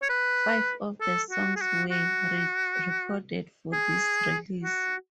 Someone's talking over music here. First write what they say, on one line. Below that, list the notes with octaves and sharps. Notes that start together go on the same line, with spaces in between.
Five of the songs were re-recorded for this release.
C#5
B4
A4
F#4
G#4
F#4
F#4
G#4
F#4